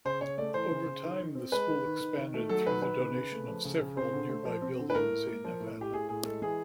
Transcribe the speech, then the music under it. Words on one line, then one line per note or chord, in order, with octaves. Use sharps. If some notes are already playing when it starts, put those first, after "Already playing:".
Over time, the school expanded through the donation of several nearby buildings in Havana.
C#3 C5
C#3 C#5
A3 D5
E3 C5
C#3
C#3
D#3
D#3
C4
G#3 B4
D#3
D#3
D#3
D#3
A3
F#3 A4
D#3 B4
D#3 B4
C#3
C#3
A3
F3
C#3
C#3
C4 C5
D3
A3
F3
C4
D3
B4
A2 A#4
A2
A#3
F3
A2
A2 G4
A2 G#4
A2 G#4
G#3 A4
E3 G#4